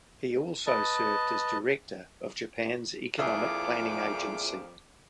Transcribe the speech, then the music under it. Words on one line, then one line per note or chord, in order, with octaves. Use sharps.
He also served as director of Japan's Economic Planning Agency.
B4 D#5 A5
F2 A#2 F3 D4 E4 G#4 D6